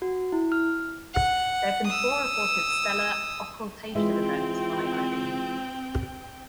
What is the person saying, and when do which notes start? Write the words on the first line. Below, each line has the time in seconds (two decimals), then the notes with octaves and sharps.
There have been four reported stellar occultation events by Irene.
0.02 F#4
0.32 E4
0.52 F6
1.14 F#5
1.88 D#6 E6
3.95 E3 G#3 C4 F4 E5 G5